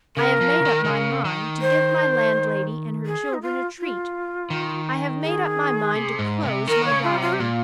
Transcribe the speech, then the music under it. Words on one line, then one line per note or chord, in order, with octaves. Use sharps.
I have made up my mind to give my landlady and her children a treat; I have made up my mind to close my Diary.
C#3 A#4
F3
C#3
D#3
D#3
C#3
D#3
C5
G#4
D#4
F4
F4
D#3
G#4
C3
G#2
C3
D#3 A#4
C#5
C#3
F4
C3
F4
G4
A#2 F4